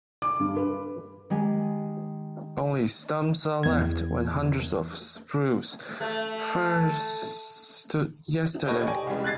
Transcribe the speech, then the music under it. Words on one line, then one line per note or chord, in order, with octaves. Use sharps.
Only stumps are left where hundreds of spruce firs stood yesterday.
D6
G2
B4
D#3 G#3 G4 G#5
E2 G#6
A3
D#4 G4 A4 B4 C#5 D#5
G4 D5 D#5 G5 G#5
C2 C#3 E3 G3 G#3
F#6 G#6 A6 C7